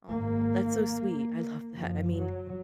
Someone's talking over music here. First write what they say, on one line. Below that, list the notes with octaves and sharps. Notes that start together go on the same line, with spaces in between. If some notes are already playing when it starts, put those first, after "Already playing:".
Aw, that's so sweet. I love that. I mean,
G#1 G#2 A#3
F#1 F#2 F3
F#3